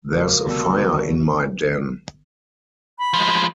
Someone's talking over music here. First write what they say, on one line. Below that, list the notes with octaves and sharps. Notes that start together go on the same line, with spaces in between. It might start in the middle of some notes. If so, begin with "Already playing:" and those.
There's a fire in my den.
C#3 F3 G#3 A#3 F#4
D2 C3 G3 B3 A4
B5
F3 G#3